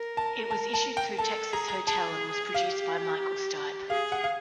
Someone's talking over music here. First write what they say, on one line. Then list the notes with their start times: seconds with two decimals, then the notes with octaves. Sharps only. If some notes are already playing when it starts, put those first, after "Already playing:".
It was issued through Texas Hotel and was produced by Michael Stipe.
Already playing: A#4
0.17 A5
0.51 A5
0.74 A5
0.97 G5
1.18 A4 A5
1.53 G#4 A#5
1.68 A#5
1.87 G#4 A5
2.54 G4 F5
3.90 G#4 F5
4.12 F#5
4.24 F5